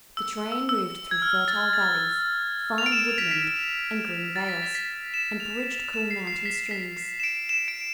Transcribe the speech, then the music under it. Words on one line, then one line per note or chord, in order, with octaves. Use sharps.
The train moved through fertile valleys, fine woodland and green vales, and bridged cool mountain streams.
E6
E6
E6
G#6
F6
A6
A6
F7
D7
E7
B6
B6
A6
B6
B6
B6
E7
F7
E7
C7
C7
B6
B6
C7
E7
D7
E7
D7